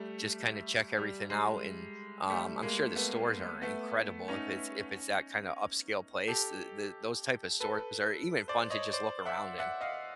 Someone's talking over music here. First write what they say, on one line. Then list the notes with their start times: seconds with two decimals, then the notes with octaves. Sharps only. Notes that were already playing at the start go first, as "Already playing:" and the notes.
just kinda check everything out, and, um, I'm sure the stores are incredible if it's if it's that kind of upscale place. The the those type of stores are even fun to just look around in.
Already playing: G3 A3
0.97 G3
1.30 G#3
2.30 G3 A3
2.62 G#3 A#3
2.96 A3 B3
3.62 A3 B3
4.28 C#4 D#4
6.28 G4 A4
7.60 A4 B4
8.48 C5 D5
8.70 C#5 D#5
8.93 C5 D5
9.26 E5 F#5
9.59 E5 F#5
9.81 D#5 F5